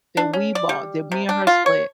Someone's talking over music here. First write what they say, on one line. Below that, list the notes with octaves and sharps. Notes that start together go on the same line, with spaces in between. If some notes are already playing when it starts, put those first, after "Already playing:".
that we bought, that me and her split.
D4
C#4
D5
G3
C3
D4
F4
C#5